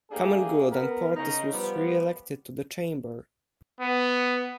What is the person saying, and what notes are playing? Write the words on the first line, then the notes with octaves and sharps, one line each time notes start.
Common Good and Portas was re-elected to the Chamber.
A3 A#3 D4 G4 G#4
B3 A#4
C#3 D#4
F3 G3 B3
B3